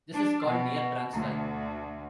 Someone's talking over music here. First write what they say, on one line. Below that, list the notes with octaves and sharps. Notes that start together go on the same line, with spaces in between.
This is called near transfer.
D4
B2
D2